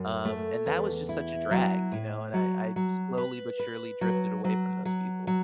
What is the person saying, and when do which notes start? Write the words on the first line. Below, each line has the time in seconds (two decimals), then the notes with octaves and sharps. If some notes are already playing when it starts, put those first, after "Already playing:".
Um, and that was just such a drag, you know, and I I slowly but surely drifted away from those people.
Already playing: F#2
0.25 A3
0.66 E2
1.09 E4
1.51 F#3
1.92 A2
2.34 F#3
2.76 F#3
3.18 B4
3.59 B4
4.01 F#3
4.44 F#3
4.85 F#3
5.27 F#3